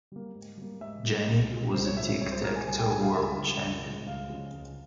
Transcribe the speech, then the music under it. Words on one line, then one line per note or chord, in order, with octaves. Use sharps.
Jenny was a tic-tac-toe world champion.
G3 A#3
G#2
G3 A#3
G#2 E5
G3 A#3
C2
A#2 G#3
C2 C5
C#5
A#2 G#3 E5
E5
C2 C#5
C5
A#2 G#3 A#4
G#5
C2 G#5
G5
A#2 G#3 G#5
F5
C#2 E5
C#3 F3 G#3
C#2
C#3 F3 G#3
C#2 F5
C#3 F3 G#3
C#2